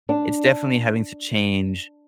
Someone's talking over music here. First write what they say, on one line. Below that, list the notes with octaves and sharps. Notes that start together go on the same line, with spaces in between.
it's definitely having to change,
D4